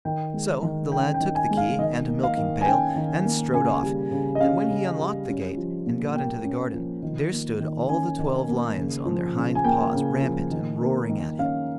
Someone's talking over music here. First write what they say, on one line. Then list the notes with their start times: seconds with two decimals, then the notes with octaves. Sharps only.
So the lad took the key and a milking pail, and strode off; and when he unlocked the gate and got into the garden, there stood all the twelve lions on their hind-paws, rampant and roaring at him.
0.05 D#3 G5
0.34 G#3
0.62 D#3
0.92 C#4 G5
1.14 G5
1.21 D#3
1.35 G#5
1.50 G#3
1.57 F5
1.79 D#3 D#5
2.08 A#3
2.23 F5
2.37 D#3
2.61 G#5
2.66 C#4 G5
2.96 D#3
3.25 A#3
3.53 C#3 G#5
3.83 G3
4.11 C#3
4.35 D#5
4.40 C#4 F5
4.70 C#3
4.99 G3
5.28 C#4
5.57 F3
5.86 A#2
6.15 A#3 G5
6.44 C#4
6.74 F3
7.03 D#3
7.32 A#3
7.60 D#3
7.89 C#4 G#5
8.19 D#3
8.48 A#3
8.78 C#3
9.06 F3
9.36 C#3
9.55 G#5
9.64 A#3 G5
9.94 C#3
10.22 F3
10.51 D#3
10.81 A#3
11.09 D#3
11.39 C#4 F5